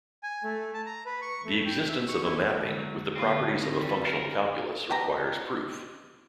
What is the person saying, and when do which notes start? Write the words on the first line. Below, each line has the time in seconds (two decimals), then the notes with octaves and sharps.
The existence of a mapping with the properties of a functional calculus requires proof.
0.23 G#5
0.44 A3
0.74 A5
0.86 A#5
1.06 B4
1.22 C#6
1.45 A3
1.66 G5
1.88 E5
2.08 C#6
2.24 E4
2.55 D3 G#3
2.78 F#3
3.15 D3 A#3 C4 F4
3.56 D#3 C4
3.81 E3 G3
4.06 A#4
4.90 B2 G4 B4 A#5